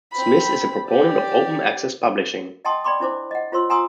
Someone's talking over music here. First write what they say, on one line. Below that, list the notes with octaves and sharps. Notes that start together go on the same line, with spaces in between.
Smith is a proponent of open access publishing.
C4 B5
G4 D5
D#5 F#5 G5 A5 C6 D#6
D5 G5 B5 C6 D6
D4 E4 C5 D6
D#5 F#5
F4 C5 C#5 C6 E6
F#5 G#5 A#5 C6 D#6 E6